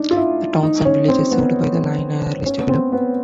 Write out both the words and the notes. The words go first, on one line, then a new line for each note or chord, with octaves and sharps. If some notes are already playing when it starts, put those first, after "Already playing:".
The towns and villages served by the line are listed below.
Already playing: D4 D#4
F4
E4
D#4
C#4
C4
B3
C#4
B3
C4
B3